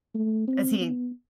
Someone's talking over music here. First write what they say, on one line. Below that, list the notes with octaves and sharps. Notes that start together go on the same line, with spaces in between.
Is he
A3
C4
B3